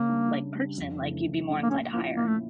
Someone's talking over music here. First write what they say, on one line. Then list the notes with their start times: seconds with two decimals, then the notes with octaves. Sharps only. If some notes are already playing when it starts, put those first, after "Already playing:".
like, person, like, you'd be more inclined to hire.
Already playing: C#3 A#3
0.09 G3 D4
0.31 C#3
0.54 G3 D4
0.78 F2
1.01 C#3 E3 A3 D4
1.24 F2
1.47 C#3 E3 A3 D4
1.63 A#3
1.70 A#2 C#4
1.93 F3 A#3 C#4 E4
2.17 A#2 A#3
2.27 A3